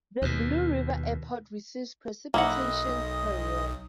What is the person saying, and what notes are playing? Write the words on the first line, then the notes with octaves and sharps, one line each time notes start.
The Blue River Airport receives precipitation per year.
D#2 B2
B1 A#3 E4 D#5 F#5 D#6